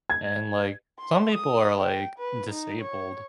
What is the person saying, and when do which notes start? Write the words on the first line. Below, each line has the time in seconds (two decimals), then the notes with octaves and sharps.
And, like, some people are, like, disabled,
0.10 G#6
0.99 C6
1.34 D#6
1.80 G5
2.19 B4
2.51 D#4
2.82 C#5